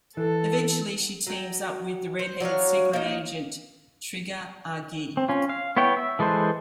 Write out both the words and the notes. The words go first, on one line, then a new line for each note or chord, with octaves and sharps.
Eventually she teams up with the redheaded secret agent Trigger Argee.
E3 A4
F#3 G5
C5
F#3 D4 C#5 F5
A#3 D#4
C4
C#4 F4
F5
B3 E4 C#5 G5
E5
E3 G#3 A4 B4 C5